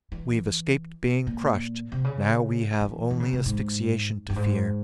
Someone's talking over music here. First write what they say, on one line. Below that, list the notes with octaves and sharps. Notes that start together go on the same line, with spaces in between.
"We've escaped being crushed. Now we have only asphyxiation to fear."
E3
A#2
C3
C#3
E3
E3
C#3
C3
G#2
G2
G#2